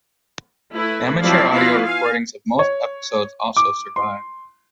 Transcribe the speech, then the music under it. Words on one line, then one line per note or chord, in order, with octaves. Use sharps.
Amateur audio recordings of most episodes also survive.
A3 E4 B4
F3 F#3 C4 E4 D5 F5
B3 E4 F4 F5
F5 G#5
C#5
D6
C6